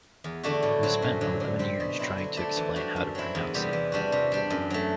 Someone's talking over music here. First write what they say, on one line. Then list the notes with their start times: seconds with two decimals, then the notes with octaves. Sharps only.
We spent eleven years trying to explain how to pronounce it.
0.24 E2
0.43 D3 A3 D4 F#4
0.62 A2
0.83 F#3 C4 F#4
1.02 F#2
1.21 D3 F#3
1.40 D3
1.59 G3 C4
1.80 B2
1.99 F#3 C4 E4
2.18 D3
2.37 A3 D4
2.57 E3
2.76 G3 D4 F#4
2.96 F#2
3.15 F#3 C4 E4
3.35 E2
3.54 C3 G3 B3
3.73 E3
3.92 G3 D4 F#4
4.12 C3
4.32 G3 D4
4.50 F#2
4.70 F#3 A3